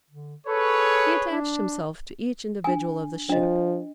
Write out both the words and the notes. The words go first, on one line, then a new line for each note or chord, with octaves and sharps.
He attached himself to each individual of the ship.
D3
G#4 A4 B4 C#5
D4
D4 G#5
F3 D4 D#5